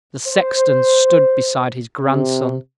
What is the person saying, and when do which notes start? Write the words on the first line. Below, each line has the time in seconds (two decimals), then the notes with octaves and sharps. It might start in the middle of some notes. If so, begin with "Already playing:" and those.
The sexton stood beside his grandson.
0.27 C5
1.98 C3